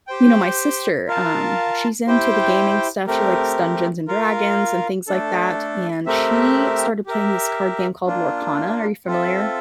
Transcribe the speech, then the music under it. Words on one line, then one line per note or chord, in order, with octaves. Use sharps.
You know, my sister, um, she's into the gaming stuff, she likes Dungeons& Dragons and things like that, and she started playing this card game called Lorcana, are you familiar?
G4 C5 G5
F4 A#4 F5 A5
E4 G4 C5 G5
A3 C4 G4 A#4
F4 A#4 F5
A3 D4 A4
A3 C4 G4 A#4 E5
G4 A#4 E5
A#3 D4 F4
C4 F4 A4 E5